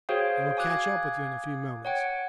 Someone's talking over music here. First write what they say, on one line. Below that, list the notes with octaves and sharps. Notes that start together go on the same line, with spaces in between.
I will catch up with you in a few moments.
F#4 G#4 C5 C#5 F5 G5
F5 G#5 D6 D#6 F#6 G#6
C#5 F#5 G5